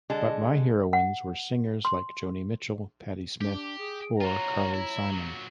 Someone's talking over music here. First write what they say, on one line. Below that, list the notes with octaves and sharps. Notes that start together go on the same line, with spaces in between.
But my heroines were singers like Joni Mitchell, Patti Smith or Carly Simon.
D3 G#3 A5
F#5
C6
D4 G4
G#4
F4 F#4 C#5 A#5
E4
A#2 F#3